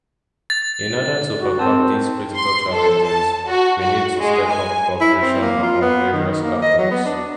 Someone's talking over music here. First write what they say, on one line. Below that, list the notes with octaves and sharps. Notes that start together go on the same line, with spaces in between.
In order to overcome these critical challenges, we need to step up cooperation among various actors.
A6
F#4
C4 A#4 A5
C6
A4
A5
F#4
F#4
G#3
G#5
E4
C4
A#3
F4
B3
D#3
A#3
D#5
F#3
B3
D4